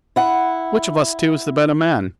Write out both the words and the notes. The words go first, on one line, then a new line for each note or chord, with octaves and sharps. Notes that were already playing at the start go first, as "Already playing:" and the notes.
Which of us two is the better man?
E4 F#5